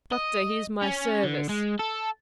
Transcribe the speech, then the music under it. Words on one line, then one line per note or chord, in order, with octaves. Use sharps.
Doctor, here's my service.
D#5
C#4
D3
G#3
A4